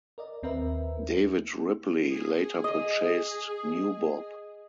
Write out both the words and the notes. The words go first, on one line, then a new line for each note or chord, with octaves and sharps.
David Ripley later purchased New Bob.
A#4 D5 D#5
D#2 C4 A#4 B4 E5
G#4
D#5